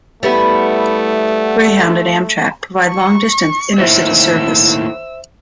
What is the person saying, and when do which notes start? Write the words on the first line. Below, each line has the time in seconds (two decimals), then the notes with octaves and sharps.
Greyhound and Amtrak provide long-distance intercity service.
0.23 G3 A3 B3 E4
2.88 C#6
3.78 D#2 A2 E4 C5 E5 E6